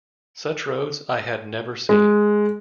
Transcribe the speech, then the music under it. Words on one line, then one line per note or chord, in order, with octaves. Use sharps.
Such roads I had never seen.
G#3